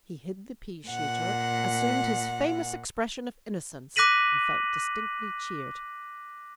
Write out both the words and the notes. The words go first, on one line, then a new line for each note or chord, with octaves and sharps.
He hid the pea-shooter, assumed his famous expression of innocence, and felt distinctly cheered.
A#2 F#5
D6 F#6 A#6 B6 D#7 F#7